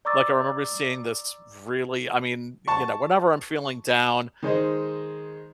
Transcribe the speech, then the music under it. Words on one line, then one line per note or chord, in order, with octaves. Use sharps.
Like, I remember seeing this really I mean, y you know, whenever I'm feeling down,
D5 A#5 C#6 D6 E6 A6
A5 C#6
D#3 G#3 C5 D#5